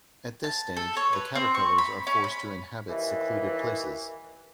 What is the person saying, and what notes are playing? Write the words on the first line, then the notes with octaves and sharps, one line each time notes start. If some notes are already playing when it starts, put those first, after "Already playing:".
At this stage, the caterpillars are forced to inhabit secluded places.
A5
A4
C#5
B4
C4
C#6
B5
C#4
B5
D#2 E3